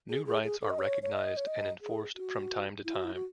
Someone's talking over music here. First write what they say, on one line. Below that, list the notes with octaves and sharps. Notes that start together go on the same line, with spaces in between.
New rights are recognized and enforced from time to time.
G#4
G#4
G#4
A4
D#5
C#5
C#5
D#5
C#5
D#5
G#4
F#4
E4
F#4
E4
F#4